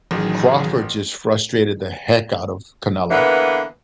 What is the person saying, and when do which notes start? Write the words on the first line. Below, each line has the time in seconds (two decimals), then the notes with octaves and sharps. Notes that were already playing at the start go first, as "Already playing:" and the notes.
Crawford just frustrated the heck out of Canelo.
0.11 A1 D#3 F#3 G#4
3.10 D3 E3 A#3 B3